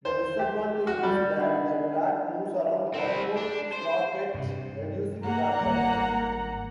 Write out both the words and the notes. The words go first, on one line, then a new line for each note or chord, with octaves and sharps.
The disadvantage is that the track moves around one more sprocket, reducing track life.
C5
G4
F#4
G3
D4 D#4 D#5 F#5 B5
C4 E4
D4
C5
G2 C3
A#3 F#5 A#5
G#1 G3